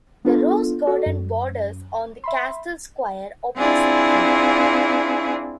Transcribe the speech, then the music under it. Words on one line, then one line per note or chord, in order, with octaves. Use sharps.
The rose garden borders on the castle square oppositely.
B3 D4 F4 A4
F#4 A4 D5
F#2
E5 B5 C6
C4 D4 E4 F4 G#4